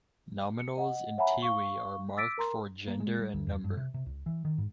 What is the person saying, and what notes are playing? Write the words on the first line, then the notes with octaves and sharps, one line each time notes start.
Nominals in Tiwi are marked for gender and number.
C#7
D#5 F#5
C#5 E5 F#5 G#5 A#5 B5
F5 C#6 G7
D6 E6 A6 B6 D7
A#4 A#5 C6
A#3
G#3
G3
D2
E2
G2
C3
C3
C#2
E3
D#3
G#2